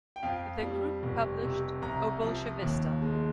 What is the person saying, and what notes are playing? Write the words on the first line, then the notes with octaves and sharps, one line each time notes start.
The group published "O Bolchevista".
G5
F2 F5
G3
F1
C3
C2 A#5
F3
D#2
G#3